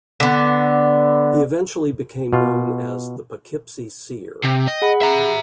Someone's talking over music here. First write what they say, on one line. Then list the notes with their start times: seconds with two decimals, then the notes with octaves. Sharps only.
He eventually became known as "the Poughkeepsie Seer".
0.20 D3 B3
2.33 B2 F4
4.44 C3 G5
4.68 D#5
4.82 G#4 F#5 B5
5.02 E5 A#5